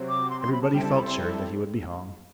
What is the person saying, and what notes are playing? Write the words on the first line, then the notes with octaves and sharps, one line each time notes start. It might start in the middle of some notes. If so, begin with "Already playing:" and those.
Everybody felt sure that he would be hung.
Already playing: C3 F#3 C4
D6
C6
C6
B5
A5
G3 C4 E4 A4 G5
A5
B5
C6